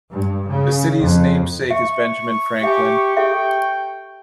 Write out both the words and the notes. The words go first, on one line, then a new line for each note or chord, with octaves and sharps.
The city's namesake is Benjamin Franklin.
G2
C#3
F2
E5 C#6
G4 E5 G#5
G4 A4 E5 G5